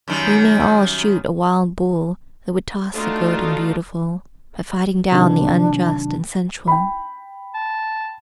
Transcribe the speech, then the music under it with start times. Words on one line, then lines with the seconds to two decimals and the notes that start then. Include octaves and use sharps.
We may all shoot a wild bull that would toss the good and beautiful, by fighting down the unjust and sensual.
0.08 F#2 D#3 G3
2.95 A3 D4 D#4 F4 F#4
5.12 C3 D#3 F#3 D4
6.68 G5 B5
7.54 A5